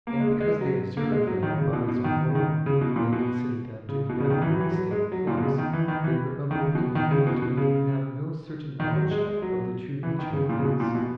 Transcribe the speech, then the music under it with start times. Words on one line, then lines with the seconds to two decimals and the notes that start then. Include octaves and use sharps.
And because they observed that all bodies are mobile, and considered them to be ever in a state of flux, they were of opinion that we can have no certain knowledge of the true nature of things.
0.07 A#3
0.20 G#3
0.40 G#3
0.61 F#3
0.97 A#3
1.12 G#3
1.27 F#3
1.43 D#3
1.58 C#3
1.73 B2
1.88 B2
2.04 D#3
2.30 C#3
2.35 D#3
2.66 C#3
2.81 B2
2.96 A#2
3.12 B2
3.89 C#3
4.09 B2
4.20 C#3
4.30 D#3
4.42 E3
4.50 F#3
4.61 E3
4.71 F#3
4.91 G#3
5.12 F#3
5.27 A#2
5.37 B2
5.42 C#3
5.58 D#3
5.73 E3
5.88 D#3
6.04 E3
6.51 D#3
6.55 C#3
6.75 B2
6.95 D#3
7.11 C#3
7.27 B2
7.42 B2
7.57 C#3
8.80 D#3
8.96 F#3
9.11 G#3
9.27 G#3
9.42 F#3
10.03 E3
10.19 D#3
10.33 C#3
10.49 A#2
10.59 C#3
10.64 B2
10.80 A#2
10.95 B2